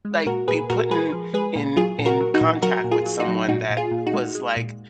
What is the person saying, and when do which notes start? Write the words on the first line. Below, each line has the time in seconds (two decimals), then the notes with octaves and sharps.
like, be put in in in contact with someone that was like,
0.05 G#3
0.26 A#2 F#4 A#4
0.48 A#2 G#4 B4
0.70 A#2 F#4 A#4
0.91 G#3 G#4 B4
1.12 F3
1.34 G#3 G#4 B4
1.56 A#2
1.76 F#3 F4 G#4
1.99 A#2
2.06 F#4 A#4
2.20 F#3
2.34 D#4 F#4
2.41 A#2
2.62 F#3 F#4 A#4
2.84 A#2
2.91 F4 G#4
3.06 F#3
3.20 D#4 F#4
3.28 F#3
3.48 A#2 D#4 F#4
3.70 A#2
3.77 F4 G#4
3.91 A#2
4.06 D#4 F#4
4.14 G#3
4.35 G#3
4.57 A#2